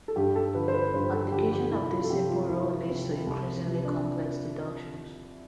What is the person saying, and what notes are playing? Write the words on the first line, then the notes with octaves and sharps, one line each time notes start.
Application of this simple rule leads to increasingly complex deductions.
A4
G2 G4
A4
D3 F3 B4
C5
B4
G2 C5
A4
D3 F3 G4
G4
C2 E4
E4
F4
A4
C3 F3 G4
F4
C2 E4
C3 F3
C2
C3 F3
D4